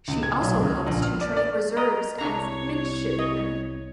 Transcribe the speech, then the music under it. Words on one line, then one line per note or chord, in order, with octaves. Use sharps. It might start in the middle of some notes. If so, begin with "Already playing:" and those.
She also helped to train reserves and midshipmen.
C#2
G#6
B1
C#2
A#1
F6
D5
D5
A#4 D#5
C2 D4 C#5 A#5
D#5